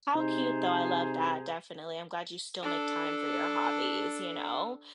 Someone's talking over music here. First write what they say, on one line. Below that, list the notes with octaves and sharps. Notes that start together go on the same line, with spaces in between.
How cute, though, I love that. Definitely. I'm glad you still make time for your hobbies, you know?
C3 D#4 G#4 C5 A#5
D4 A4